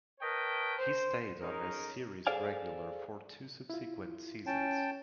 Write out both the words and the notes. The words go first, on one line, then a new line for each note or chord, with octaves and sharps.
He stayed on as series regular for two subsequent seasons.
A#4 B4 C#5 D#5 G5 A5
C5
C#4 D#4 G#4 A#4
G#4 A4 C5 D5 F5 G#5
E4 F4
C#4 G5 A5